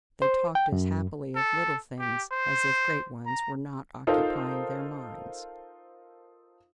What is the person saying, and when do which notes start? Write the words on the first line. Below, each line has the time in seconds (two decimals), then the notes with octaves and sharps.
They talked as happily of little things as if great ones were not occupying their minds.
0.22 C5
0.55 G5
0.72 F#2
1.36 A4
2.00 G4
2.31 C5
3.26 A#5
4.07 D#4 F4 A4 A#4 C5